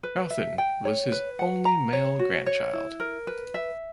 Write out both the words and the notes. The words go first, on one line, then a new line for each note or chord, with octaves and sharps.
Cauthen was his only male grandchild.
B4
E5
G5
C#5
B4
F#5
A#5
C#5
F#4
C#5
E4
A#4
B4
E5